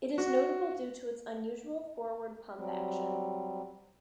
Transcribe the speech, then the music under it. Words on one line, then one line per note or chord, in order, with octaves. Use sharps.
It is notable due to its unusual forward pump action.
F#4
F#3 G3 C4